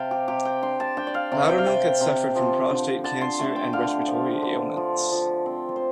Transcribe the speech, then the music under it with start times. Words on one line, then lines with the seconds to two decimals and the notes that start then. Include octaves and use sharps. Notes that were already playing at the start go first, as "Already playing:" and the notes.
Loudermilk had suffered from prostate cancer and respiratory ailments.
Already playing: C3 F5 G5 A5
0.11 G4
0.28 C3 G4
0.45 G5
0.62 D4 C6
0.80 A5
0.97 D4 G5
1.07 D5
1.14 F5
1.32 C3 D5
1.49 G5
1.58 F5
1.66 C3 G5
2.01 C3
2.36 F3
2.70 D3
3.04 D3 A5
3.21 C6
3.39 A3 A5
3.56 G5
3.73 D3 F5
4.08 F3
4.42 D3
4.77 F3
5.12 F3
5.46 C4
5.76 C5